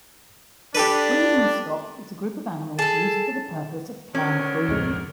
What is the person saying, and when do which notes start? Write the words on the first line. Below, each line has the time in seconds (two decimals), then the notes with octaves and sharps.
Breeding stock is a group of animals used for the purpose of planned breeding.
0.75 D4 G4 A4 B4
2.79 G#4 A4 A5
4.15 D2 F#3 C#4 A#4
4.69 D1 F2 G#3